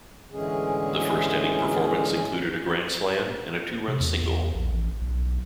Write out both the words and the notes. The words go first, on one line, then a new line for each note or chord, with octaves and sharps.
That first inning performance included a grand slam and a two-run single.
A2 D3 E3 G#3 C#4 G#4
C3
E2
E2
A#1
A1
B1